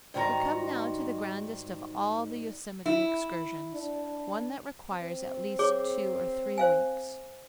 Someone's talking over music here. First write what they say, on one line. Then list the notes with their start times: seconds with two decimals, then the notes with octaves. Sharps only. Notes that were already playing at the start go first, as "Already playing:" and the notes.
We come now to the grandest of all the Yosemite excursions, one that requires at least two or three weeks.
0.14 G#2 D#3 G3 E4 F#4 A#5
2.86 E4
3.73 D4
4.91 C4
5.59 G#4 C#5 D6
6.58 C5 F5 G#5